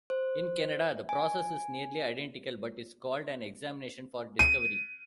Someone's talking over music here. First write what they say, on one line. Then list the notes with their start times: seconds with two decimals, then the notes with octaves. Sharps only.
In Canada, the process is nearly identical but is called an examination for discovery.
0.10 C5
1.09 G#5
4.39 D#7